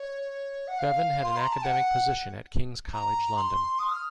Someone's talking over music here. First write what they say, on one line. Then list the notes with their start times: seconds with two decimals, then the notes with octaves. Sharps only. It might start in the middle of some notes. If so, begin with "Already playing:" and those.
Bevan had an academic position at King's College London.
Already playing: C#5
0.67 F#5
0.79 F5
1.23 C6
1.37 A#5
1.50 A5
1.64 F#5
2.93 A#5
3.36 C6
3.79 D#6
3.91 F6